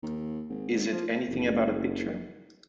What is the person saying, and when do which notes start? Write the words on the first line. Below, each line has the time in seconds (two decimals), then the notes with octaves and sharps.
Is it anything about a picture?
0.03 D#2
0.49 G#1
0.92 F3
1.29 F#1